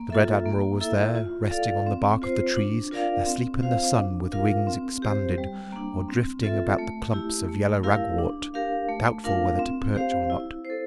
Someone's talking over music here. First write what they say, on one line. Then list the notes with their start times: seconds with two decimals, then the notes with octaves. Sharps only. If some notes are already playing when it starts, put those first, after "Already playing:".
The red admiral was there, resting on the bark of the trees, asleep in the sun with wings expanded, or drifting about the clumps of yellow ragwort, doubtful whether to perch or not.
Already playing: A#3
0.10 F4 A4 E5
0.45 A#3
0.80 E4 A4 E5
1.15 F4
1.50 A4 D5 F5
1.87 C4
2.22 F4 C5
2.57 D4
2.91 F4 A#4 D5 F5
3.26 C4
3.62 F4 C5 F5
3.97 D4
4.32 F4 A#4 F5
4.67 C4
5.02 G4 C5
5.38 G3
5.72 A#3 D4
6.08 C4
6.43 F4 A4 E5
6.79 A3
7.13 E4 G4
7.49 A3
7.83 E4 G4 A#4 F5
8.19 D4
8.54 G4 A#4 F5
8.89 A3
9.24 D4 F4 A#4 F5
9.59 C4
9.95 G4 C5 F5
10.30 E4
10.65 C5
10.70 A4